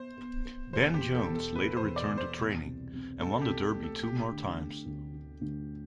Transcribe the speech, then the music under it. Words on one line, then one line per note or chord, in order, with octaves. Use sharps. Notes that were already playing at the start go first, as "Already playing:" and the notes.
Ben Jones later returned to training and won the Derby two more times.
Already playing: B3 C5
B3
B3
E2 C5
G4
B2
A4
E2
A4
B2 B4
C5
E2
D5
E2
C5
B2
C2
C4
C4 A4
A4
G4
C2
G4
A3
A4
A3 G4
D3
A3
D2
D3
D2